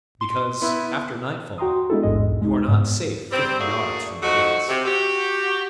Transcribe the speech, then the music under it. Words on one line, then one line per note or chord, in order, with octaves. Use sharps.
"Because, after nightfall, you are not safe fifty yards from the gates."
C6
B3 E4
F#4 G5 A#5 C6 D#6
G#3 B3 D4 E4 G#4 A4
A1 E2 G#2 G#3 D#5
B1
G#3 D#4
G#2 B3
G3 C4
A3 A#3 D4 F#4 G#4
F3 A3 D#4 F#4
C3
F#4 G4